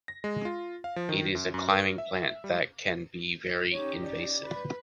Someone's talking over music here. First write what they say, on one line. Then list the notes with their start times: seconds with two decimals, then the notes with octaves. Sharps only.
It is a climbing plant that can be very invasive.
0.08 A#6
0.24 G#3
0.45 F4
0.84 F5
0.96 F3
1.09 D#3
1.35 F#2
1.54 F#2
1.68 A#4
1.98 E5
2.22 E5
2.44 G3
3.71 C#4 D#4 G4 C#5
4.03 D5
4.44 B4